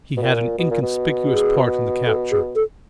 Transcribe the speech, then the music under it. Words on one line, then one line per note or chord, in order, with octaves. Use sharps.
He had an inconspicuous part in the capture.
B2
A#2
B2
A#2
B2
G#4
A4
G#4
A4